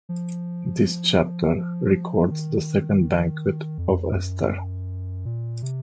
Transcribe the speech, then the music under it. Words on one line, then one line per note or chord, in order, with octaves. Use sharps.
This chapter records the second banquet of Esther.
F3
F3
D#3
F2
F#2
A#2
C3